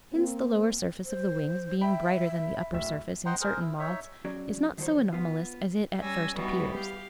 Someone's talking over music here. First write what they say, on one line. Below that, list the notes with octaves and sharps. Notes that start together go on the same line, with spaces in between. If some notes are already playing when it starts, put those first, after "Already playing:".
Hence the lower surface of the wings being brighter than the upper surface in certain moths is not so anomalous as it at first appears.
A#3 C4
C5
E5 G5 B5
D1 E5
C5 D#5 F#5 G5 A#5 C6
G#4 A#4 C5
E4
D#4 C#5 E5
F#3 C#4 F#4 G#4 D5
D#3 F3 F#3 C5 C#5
B3 F4
G3 C#4 G#5 E6 A#6
E3 G3 B3 D#4 F#4
G4 F5